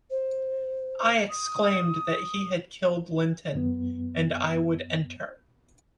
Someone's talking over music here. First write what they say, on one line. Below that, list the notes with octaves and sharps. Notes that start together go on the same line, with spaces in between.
I exclaimed that he had killed Linton, and I would enter.
C5
D#6
F#2 B3